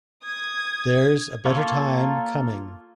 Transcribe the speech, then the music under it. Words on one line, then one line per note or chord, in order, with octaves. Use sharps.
There's a better time coming.
D#6 G#6
A#3 F4 A4 C#5